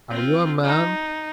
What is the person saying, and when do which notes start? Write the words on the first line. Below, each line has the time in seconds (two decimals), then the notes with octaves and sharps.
Are you a man?
0.10 C4 F4
0.64 D#4